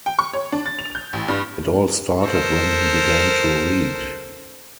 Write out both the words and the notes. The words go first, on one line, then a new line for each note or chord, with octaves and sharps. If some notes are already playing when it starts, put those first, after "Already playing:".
It all started when he began to read.
G5
C#6
C#5
D4
A6
F7
G6
A1
G2
A4 A#4 C5